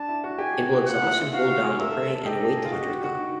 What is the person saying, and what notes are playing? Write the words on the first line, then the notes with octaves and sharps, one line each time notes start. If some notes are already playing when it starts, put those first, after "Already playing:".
It will exhaust and hold down the prey and await the hunter's gun.
Already playing: D4 A5
E4
F#4
G4 G#5
G#4
G4
F#4
F4 F#5
E4
F4
F#4 F5
F#4
G#4
A#4 E5
A4
A4
A4
G4 D#5
A4
G#4
F4
F#4
G4
F#4
F#4
D#4